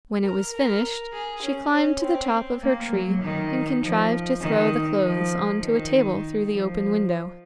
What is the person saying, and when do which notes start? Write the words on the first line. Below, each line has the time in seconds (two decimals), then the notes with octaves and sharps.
When it was finished she climbed to the top of her tree and contrived to throw the clothes on to a table through the open window.
0.23 A#4
0.52 A#4
1.12 G#4
1.42 C#4
1.72 C#4
2.02 C4
2.62 A#3
2.91 F#3
3.21 D#3
3.81 F3
4.41 D#3
5.00 F3
5.60 D#3
6.49 F3